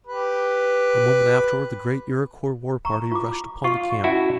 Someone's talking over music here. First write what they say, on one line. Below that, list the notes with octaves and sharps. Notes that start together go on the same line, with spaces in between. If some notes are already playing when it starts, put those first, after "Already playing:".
A moment afterward the great Iroquois war-party rushed upon the camp.
G4 B4
A#5 C#6
F4 D6
F4 C#6
C#4 E4 F#4 A5